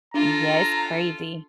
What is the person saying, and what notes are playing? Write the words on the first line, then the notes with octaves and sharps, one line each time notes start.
Yeah, it's crazy.
D4 F4 A4 A#5